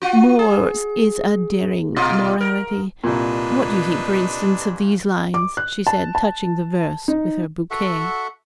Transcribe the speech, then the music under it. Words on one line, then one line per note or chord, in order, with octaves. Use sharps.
'Moore's is a daring morality--what do you think, for instance, of these lines?' she said, touching the verse with her bouquet.
F4 F#4
G#4
B2 F4 D#5
A#4
C2 A#2 D4 D#4 B4
D6
F#6
A5
A5
D#4
F#4 A4 E5 F#5